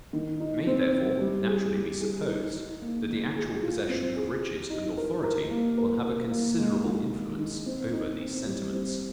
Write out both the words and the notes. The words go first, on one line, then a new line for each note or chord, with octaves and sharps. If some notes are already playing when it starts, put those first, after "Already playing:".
It may, therefore, naturally be supposed, that the actual possession of riches and authority will have a considerable influence over these sentiments.
D#3
D#4
C4
C4
G3
G#4
G3
G#4
D#4
D#4
A#3
D#3
G#4
F4
C4
G#4
G4
D#4
A#4
A#4
A#3
A#4
A#4
A#3
G#3
D#3
D#3
D#3
C4
D#4
C4
G3
C4